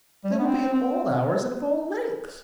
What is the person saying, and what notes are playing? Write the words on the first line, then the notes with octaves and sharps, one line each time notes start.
They will be at all hours, and of all lengths.
G3
A3
B3
C4
C4